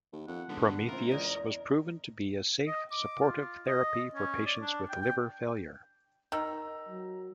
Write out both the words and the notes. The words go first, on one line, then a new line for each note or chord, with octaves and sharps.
Prometheus was proven to be a safe supportive therapy for patients with liver failure.
D#2
F2 F#5
D3 G#3 B3
C#2 C4 E4 F4 A#4
E2 D#5
D#5
D6
F4
D#5
C#4
D5
D4
G5
G5
D#3 A#5 E6
F#3